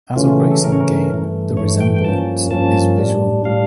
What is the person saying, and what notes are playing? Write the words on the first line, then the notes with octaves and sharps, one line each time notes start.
As a racing game, the resemblance is visual.
C#3 E3 A3 C#4 F4
F4
G4
A4
C#3 E3 A3 C#4 A#4
C#5
A#4
G2 E3 A3
G2 E3 A3 C#5
G5
G5
G2 F3 A#3 C#4 A5
G2 F3 A#3 C#4 A5
A2 G3 D4
A2 G3 D4 F5